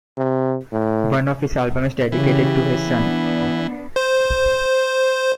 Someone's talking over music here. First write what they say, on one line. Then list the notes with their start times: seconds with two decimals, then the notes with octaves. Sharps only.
One of his albums is dedicated to his son.
0.17 C3
0.72 A2
2.12 C#3 E3 G4
2.87 B3 D4
3.96 C5